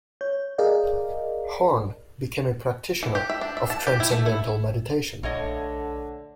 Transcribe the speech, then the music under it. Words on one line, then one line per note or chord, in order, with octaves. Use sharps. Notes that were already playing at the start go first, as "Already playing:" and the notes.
Horn became a practitioner of Transcendental Meditation.
C#5 G6
G#4 A#4 D5 D#5 F5
E3
G4
E5
D4
E5
A5
G4
E4
A3
E4
A#1 D3 A3 C#5 D#5